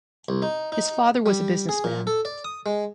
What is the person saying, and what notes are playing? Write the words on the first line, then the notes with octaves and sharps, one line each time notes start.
His father was a businessman.
C2
D#4
D#4
G3
G#4
A#2
A4
D5
D#6
G#3